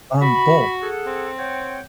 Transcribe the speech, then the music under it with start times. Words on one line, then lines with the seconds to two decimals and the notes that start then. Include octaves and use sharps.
Um, both.
0.22 F#4 B5
0.83 G#4 A4 F#5
1.06 C4
1.39 C#5 F#5 G5